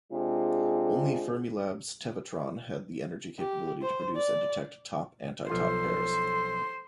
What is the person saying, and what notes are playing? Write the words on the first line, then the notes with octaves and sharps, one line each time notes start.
Only Fermilab's Tevatron had the energy capability to produce and detect top anti-top pairs.
C3 G#3 D4 F4 G#4
G4
C5
D5
B1 F3 F4 A4 C5